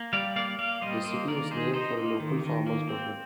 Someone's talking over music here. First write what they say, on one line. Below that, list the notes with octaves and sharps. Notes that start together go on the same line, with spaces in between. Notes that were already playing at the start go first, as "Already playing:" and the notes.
The city was named for a local farmer's daughter.
Already playing: A#3
G3 D5 F5
A#3 D5 F5
A#3 D5 F5
G3 C5 D#5
A#3 C5 D#5
D#3 A#4 D5
D#4 G#4 C5
D#4 C5 D#5
A#3
D#3
D#3
A#3
C4